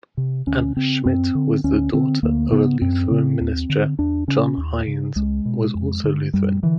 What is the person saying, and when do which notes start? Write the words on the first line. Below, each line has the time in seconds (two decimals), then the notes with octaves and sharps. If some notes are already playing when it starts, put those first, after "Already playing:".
Anna Schmidt was the daughter of a Lutheran minister; John Heinz was also Lutheran.
0.17 C3
0.47 D2 C#4
0.76 C#3 C4
1.05 F#2 C4
1.35 D3
1.64 D2 C#4
1.93 D3 C4
2.23 D2 A#3
2.52 C#3 B3
2.81 F#2 C4
3.11 C#3
3.40 D#2
3.69 D3
3.99 E2 D4
4.28 C#3 C#4
4.57 D#2
4.87 C#3
5.16 C#2 G#3
5.45 B2
5.75 F2
6.04 D3
6.34 F#2 G3
6.63 D3 E3